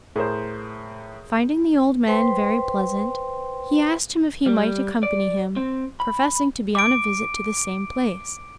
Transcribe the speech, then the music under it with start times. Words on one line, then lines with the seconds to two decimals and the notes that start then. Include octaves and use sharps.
Finding the old man very pleasant, he asked him if he might accompany him, professing to be on a visit to the same place.
0.16 A2 G#4 A#4 C5
2.06 B4 C5 G5 C6
4.46 G3
5.03 D5
5.56 C4
6.00 B5
6.75 D6 D7